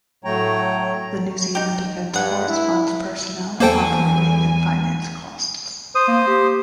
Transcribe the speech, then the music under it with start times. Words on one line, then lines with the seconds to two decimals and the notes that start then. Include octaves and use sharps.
The New Zealand Defence Force funds personnel, operating and finance costs.
0.24 A2 F#3 A3 C#5 G5 A#5
1.55 D#4 G4
2.14 G2 G#4 F#5
2.48 E4
3.60 E2 D3 A#3 A4 C5 G5 G#5
5.95 C5 D#6
6.08 A#3
6.27 G4